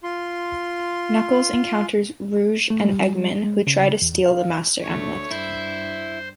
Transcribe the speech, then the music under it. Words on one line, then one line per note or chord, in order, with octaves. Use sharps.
Knuckles encounters Rouge and Eggman, who try to steal the Master Emerald.
F4 C6
A3
G3
G#3
C#3
E2
F5
D2 A3 C#5
G2 E4 C5